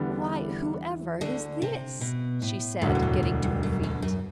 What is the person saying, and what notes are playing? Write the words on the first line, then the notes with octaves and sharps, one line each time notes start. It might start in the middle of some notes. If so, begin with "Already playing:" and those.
"Why, whoever is this?" she said, getting to her feet.
Already playing: E2 D3 E3 G3 B3
D2 D3
C3
B2
A2
E1 D2 A2 D3 F#3
G2
A2
A2
G2
F#2
E2
F#2